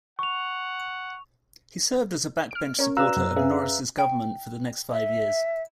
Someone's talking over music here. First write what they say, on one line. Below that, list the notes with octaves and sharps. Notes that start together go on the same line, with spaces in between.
He served as a backbench supporter of Norris's government for the next five years.
F#5 C#6 F7
F6 D7
C#4 A#4 C#5
F#4 B4 D5 F5 A#5 E6 F#6 E7
F#2
C#4 G#4 B4 E5 F5
G5
E5